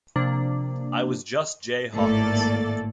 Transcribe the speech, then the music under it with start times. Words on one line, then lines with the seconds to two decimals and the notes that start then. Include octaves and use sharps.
I was just Jay Hawkins.
0.16 C3 F3 A#3 D4
1.95 G#1 A2 A#3 A4 D5 A6